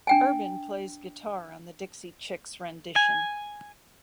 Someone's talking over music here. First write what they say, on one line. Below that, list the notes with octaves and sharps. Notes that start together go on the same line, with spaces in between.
Urban plays guitar on the Dixie Chicks' rendition.
D4 G5 G#5
G#5